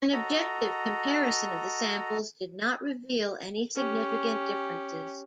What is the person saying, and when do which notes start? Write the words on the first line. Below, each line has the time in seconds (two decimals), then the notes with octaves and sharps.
An objective comparison of the samples did not reveal any significant differences.
0.13 F#4 A4 D#5 A#5
3.76 C#4 G4